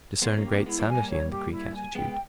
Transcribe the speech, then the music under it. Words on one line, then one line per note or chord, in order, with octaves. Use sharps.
I discern great sanity in the Greek attitude.
G#3 B3 C#5
A#3 C#4
G4
A#3 C#4
G#3 B3 E4
G3 A#3
G#5
G3 A#3
C#5
G4
E4
G#5
G#3 B3 G5